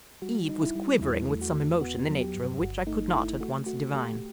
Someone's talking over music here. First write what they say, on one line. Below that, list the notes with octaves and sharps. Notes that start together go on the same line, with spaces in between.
Eve was quivering with some emotion the nature of which I could not at once divine.
G3 F#4
D#4
E4
G3
E2 E4
A3
F#4
E2
B3 F#4
F#3
G4
G2
G1 F#4
A3 D#4
A3 E4
A3 F#4
A3 F#4
A3 G4